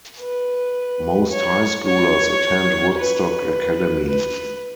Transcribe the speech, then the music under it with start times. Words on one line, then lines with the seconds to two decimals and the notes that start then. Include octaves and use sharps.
Most high schoolers attend Woodstock Academy.
0.21 B4
1.31 C#5
1.87 C#5
2.98 B4
4.08 B4